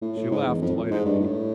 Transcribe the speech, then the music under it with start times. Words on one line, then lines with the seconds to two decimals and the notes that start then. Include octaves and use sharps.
She laughed delightedly.
0.01 A2
0.17 A2
0.31 G#2
0.46 E2
0.61 F2
0.76 A2
0.91 G#2
1.05 G2
1.20 A2